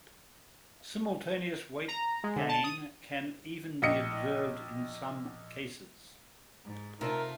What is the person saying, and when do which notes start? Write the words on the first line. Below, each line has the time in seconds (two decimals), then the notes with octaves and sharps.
Simultaneous weight gain can even be observed in some cases.
1.88 A#5
2.24 G#3
2.36 D3
2.49 A5
2.64 D#6
3.82 A#1 D#5 C#7
6.64 G#2
7.01 C3 A3 D#4 F4 A#4 E5 A5